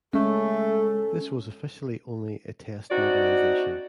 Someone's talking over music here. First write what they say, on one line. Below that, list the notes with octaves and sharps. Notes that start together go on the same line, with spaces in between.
This was officially only a "test mobilisation".
G#3 A3 C#4 A4
C4 D4 D#4 F#4 D5